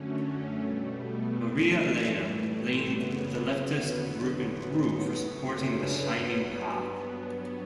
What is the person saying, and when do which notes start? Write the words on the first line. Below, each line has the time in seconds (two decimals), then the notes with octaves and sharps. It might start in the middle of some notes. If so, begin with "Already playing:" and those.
Maria Elena blamed the leftist group in Peru for supporting the Shining Path.
Already playing: F#2 D3 F#3 A3 C#4
0.57 B2 G3 A3
0.96 B3
1.34 F#2 E3 G3 A3
2.12 A2 E3 G3
2.89 F#2 C#3 F#3 B3
3.66 E2 D3 F#3
4.44 A2 F#3 B3
5.21 F#2 C#3 F#3 A3 C#4
5.61 B3 D4
5.99 G2 F#3 B3